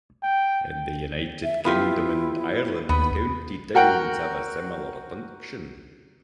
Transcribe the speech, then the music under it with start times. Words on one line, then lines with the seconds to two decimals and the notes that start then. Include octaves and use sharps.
In the United Kingdom and Ireland, county towns have a similar function.
0.23 G5
1.44 E5
1.65 B3 E4 F4 G4
2.89 D#2 B3 B5
3.75 F#4 A#4 F#5 G5